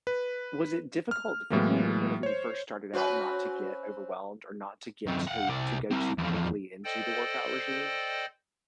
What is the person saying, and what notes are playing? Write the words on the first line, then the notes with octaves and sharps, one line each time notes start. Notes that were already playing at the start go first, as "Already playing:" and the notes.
Was it difficult for you whenever- you first started out- not to get overwhelmed or not to get too to go too quickly into the workout regime?
B4
F6
A2 E3 F#3 G#3 A#3
C5 C#5
C4 C#4 F#4 B4
F#2 C4
F5 F#5
C2 D5
C4 E4
E2 F3
A4 C5 D5 D#5 G5